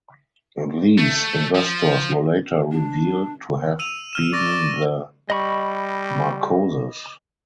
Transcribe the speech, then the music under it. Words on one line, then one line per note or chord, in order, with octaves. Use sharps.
These investors were later revealed to have been the Marcoses.
A3
F3
D4
E6 D#7 F7
F6 E7
D5 C#6 A#6
G3 D#5 B5 C#6